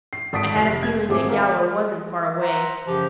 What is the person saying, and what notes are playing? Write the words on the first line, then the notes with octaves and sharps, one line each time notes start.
I had a feeling that Yowler wasn't far away.
C7
G#1 A4 D#6 A6 B6 D7
F1 C7
G#6
G#1 A3 C4 G#4 D6
A#4 E5 F5
C5 E5 F#5 A#5
F#2 C#3 F3 G4